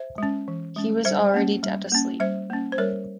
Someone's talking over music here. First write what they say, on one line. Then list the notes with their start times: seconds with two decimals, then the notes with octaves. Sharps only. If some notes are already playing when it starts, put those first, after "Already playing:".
He was already dead asleep.
Already playing: C5 E5
0.18 G#3 C#4
0.48 E3
0.76 G#3 C#4
1.05 G3 C5 E5
1.34 A#3 C#4
1.63 G3
1.92 A#3 C#4
2.20 G3 C5 E5
2.50 A#3 C#4
2.72 C5
2.78 G3 A#4 C#5